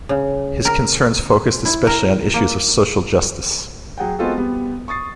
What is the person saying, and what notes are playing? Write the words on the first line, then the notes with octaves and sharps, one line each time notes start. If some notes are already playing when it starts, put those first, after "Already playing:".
His concerns focused especially on issues of social justice.
C#3
A#4
E4
A#4
A#3
F#3 G#4 F#5 G5
G#3 B3 C4 F4 F#4 A4
G3 B3
C#6 D#6 A6 C7